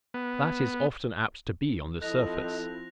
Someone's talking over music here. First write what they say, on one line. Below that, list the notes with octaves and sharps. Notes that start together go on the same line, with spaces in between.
That is often apt to be on the surface.
B3
F3 C4 E4 A4 D#5 F#6 A#6 F7